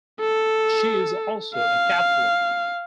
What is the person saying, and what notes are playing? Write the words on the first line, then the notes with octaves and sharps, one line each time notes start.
She is also a Catholic.
A4
F5